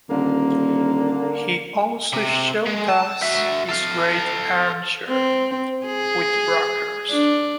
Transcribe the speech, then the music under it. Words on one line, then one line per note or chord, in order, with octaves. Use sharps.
He also showed us his great armchair, with rockers.
D#1 D3 A#3
C3
G#3
A5
F#4 E5
A4 F5
C4
G#4
D4